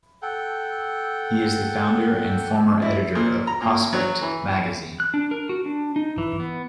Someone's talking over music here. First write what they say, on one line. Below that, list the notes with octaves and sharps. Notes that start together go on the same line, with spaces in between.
He is the founder and former editor of "Prospect" magazine.
A4 F#5 G5
E4
A#2
A#5
A#2
F#3
E3
F#6
D4
A#4
F#4
D4
D#4
E3
B3